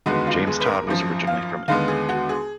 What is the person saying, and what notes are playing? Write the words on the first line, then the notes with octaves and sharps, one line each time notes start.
James Todd was originally from England.
F1 D#2 D3 G#3 B3 F#4
F4
G#4
B4
A#4
G#1 F#2 F3
F5
D#2 D3 G#3 B3 F5
G#4
F#4
G#4